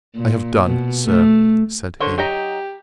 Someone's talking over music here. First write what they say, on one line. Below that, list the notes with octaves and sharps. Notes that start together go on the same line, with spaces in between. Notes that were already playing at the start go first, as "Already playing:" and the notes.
I have done, Sir, said he.
A#2
B2
A3
D3 A#4 C5 C#5
F#3 D#4 G4 A#5